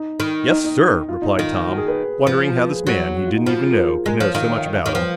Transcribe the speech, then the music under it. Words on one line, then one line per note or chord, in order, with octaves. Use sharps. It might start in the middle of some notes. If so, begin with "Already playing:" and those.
"Yes, sir," replied Tom, wondering how this man he didn't even know could know so much about him.
Already playing: D#4
D#3
D#4
D#4
F4
D#4
D#3 F4
F#4
G#4
B4
F3
B4
G#4
F#3
F#4
F4
D#4
F3 F#4
G#4
A#4
G#4
G#3 A#4
F3 C#5
D#3 F5
C#5
F5
D#5
F5
D#3 C#5
F3 B4